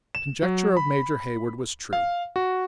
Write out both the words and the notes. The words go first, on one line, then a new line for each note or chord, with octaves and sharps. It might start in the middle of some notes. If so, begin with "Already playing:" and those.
The conjecture of Major Heyward was true.
E7
F#3
B5
F5
F#4